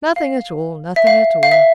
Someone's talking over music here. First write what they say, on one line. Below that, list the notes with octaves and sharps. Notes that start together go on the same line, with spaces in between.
"Nothing at all,--nothing at all."
F5
E5
F5
F5
E5